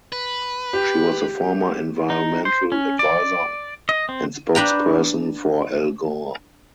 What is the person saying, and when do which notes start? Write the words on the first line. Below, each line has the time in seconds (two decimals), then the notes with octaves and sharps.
She was the former environmental adviser and spokesperson for Al Gore.
0.12 B4
0.73 G4
2.10 D#4
2.45 C5
2.72 C#4
2.99 D5
3.89 D#5
4.09 C4
4.55 D4 B4 G5 A#5